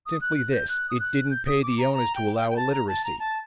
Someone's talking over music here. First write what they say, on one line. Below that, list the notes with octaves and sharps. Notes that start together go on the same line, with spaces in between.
Simply this: it didn't pay the owners to allow illiteracy!
D#6
F#6
F#6
G6
F#6
D#6
F#6
G6
D#6
D6
A#5
A#5
G5
G5
G5
A5
A#5
A5
A#5
A5